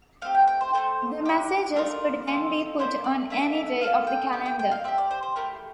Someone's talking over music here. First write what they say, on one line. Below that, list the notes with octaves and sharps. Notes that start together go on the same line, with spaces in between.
These messages could then be put on any day of the calendar.
A3 C4 G4 F5
G5
G5
C5
A3 E4 A4 C5
D4 G4
A3 D4 F4 A#4
C4 F4 A4
A#3 E4 A4 C5
D5
A#3 D4 A4 E5
A#3 F4 A4 F5
G5
A3 D4 G4 G5
G5
G5
F5
C4 G4 E5
D5
C5
C5
A3 E4 G4 A#4